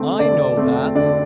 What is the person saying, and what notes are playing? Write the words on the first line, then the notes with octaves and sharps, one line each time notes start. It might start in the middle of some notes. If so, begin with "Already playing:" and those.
"I know that."
Already playing: D3 A3 C4
D3 D5
A3 C4
D3 D5